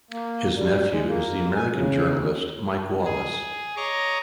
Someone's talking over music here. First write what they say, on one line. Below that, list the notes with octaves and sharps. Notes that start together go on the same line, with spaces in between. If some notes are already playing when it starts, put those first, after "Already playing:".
His nephew is the American journalist Mike Wallace.
A#3
G3
G#3
A#3
G#5
C#3
G#4
C#5 D#5 A#5 C#6 D6